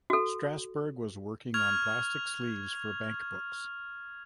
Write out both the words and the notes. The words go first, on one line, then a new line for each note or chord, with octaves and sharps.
Strassberg was working on plastic sleeves for bankbooks.
F#4 A4
C#6 F6 G#6 F7